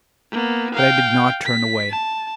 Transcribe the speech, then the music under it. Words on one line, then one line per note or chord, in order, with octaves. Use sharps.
But I did not turn away.
A#3 B3
F5 G5
B6
A5